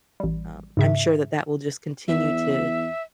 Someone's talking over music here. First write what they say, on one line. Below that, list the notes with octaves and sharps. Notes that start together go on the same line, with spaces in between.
um, I'm sure that that will just continue to
A1 G3
G#2 C#3 E5
E2 E5